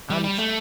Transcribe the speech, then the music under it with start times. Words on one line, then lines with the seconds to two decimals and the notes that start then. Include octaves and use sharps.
I'm tr
0.10 G3
0.24 G3
0.39 A3